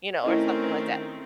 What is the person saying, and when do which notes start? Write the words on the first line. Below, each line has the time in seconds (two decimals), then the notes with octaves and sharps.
you know, or something like that.
0.23 D#3 A3 C4 C#4 E4 A#4 D#5